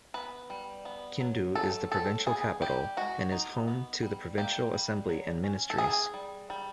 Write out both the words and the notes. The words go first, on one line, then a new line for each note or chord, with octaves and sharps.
Kindu is the provincial capital and is home to the provincial assembly and ministries.
B3 B4
G3
B3
F#3
F#3 A4
C4 A4
B3 G#4
G3 G4
G#3 F#4
D#4
B3
G3
A#3 G4
G3
F#3
C#4
A4
C4 G#4
G3
G3